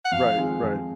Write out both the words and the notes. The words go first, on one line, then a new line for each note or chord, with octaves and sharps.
Right, right.
F#5
F2 F5
D#3 G#3 C4 F4
F2